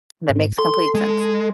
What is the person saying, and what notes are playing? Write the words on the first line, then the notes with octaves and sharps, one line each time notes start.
That makes complete sense.
G#2
A4 C6
A4
G#3